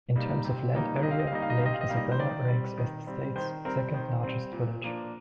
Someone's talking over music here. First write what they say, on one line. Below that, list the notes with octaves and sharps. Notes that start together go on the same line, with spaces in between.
In terms of land area, Lake Isabella ranks as the state's second largest village.
G3 A#3 D#4
C3
G3 A#3 D#4
C3 D#5
F5
D#5
F5
G3 A#3 D#4 D#5
F5
D#5
F5
C3 D#5
F5
D#5
G3 A#3 D#4 F5
D#5
C5
D#3 D5
G3 C4
D#3
G3 C4
D#3 C5
G3 C4 A#4
D#3 C5
G3 C4
A#2
F3 A#3 D4